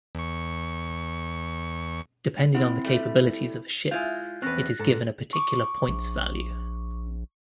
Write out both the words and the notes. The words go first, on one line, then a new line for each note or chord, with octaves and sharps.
Depending on the capabilities of a ship it is given a particular points value.
E2 C#6
C4 E4 F#5
G3 A3
G#3 E4 F4 G6
E2 C4 C#4 B4 F#6 A6 A#6
G#2 A4
C#6 D6
A#1